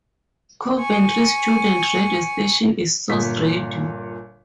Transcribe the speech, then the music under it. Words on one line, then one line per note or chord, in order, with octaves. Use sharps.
Coventry's student radio station is Source Radio.
G#5 C#6
G1 A#2 B6